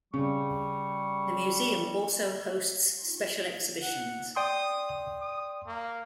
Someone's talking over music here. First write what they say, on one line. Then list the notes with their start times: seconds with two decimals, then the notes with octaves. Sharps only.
The museum also hosts special exhibitions.
0.14 C#3 G3 C#6
3.82 F#5
4.36 D5 G5 C6 D#6
5.21 D#6
5.67 A#3